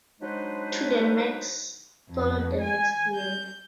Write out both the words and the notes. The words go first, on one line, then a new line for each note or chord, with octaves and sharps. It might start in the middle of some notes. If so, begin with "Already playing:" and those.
"To the Max" followed the next year.
F#3 G#3 D4 D#4 B4 C5
F2
G#5
G6